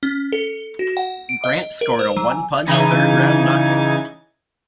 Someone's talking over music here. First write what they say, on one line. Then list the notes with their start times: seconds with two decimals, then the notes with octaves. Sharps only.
Grant scored a one-punch third-round knockout.
0.03 C#4
0.32 A4
0.79 F#4
0.97 F#5
1.29 D7
1.44 D#5
1.81 A#4
1.99 C5
2.17 F#3
2.31 G#5
2.65 C#3 E3 D#4 G#5 A6 C#7